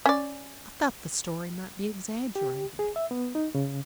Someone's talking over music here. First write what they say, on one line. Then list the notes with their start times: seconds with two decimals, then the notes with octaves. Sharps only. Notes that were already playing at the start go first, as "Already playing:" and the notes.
I thought the story might be exaggerated.
0.06 C#4 D5
2.36 G4
2.79 G#4
2.96 E5
3.11 B3
3.35 D#4
3.55 C#3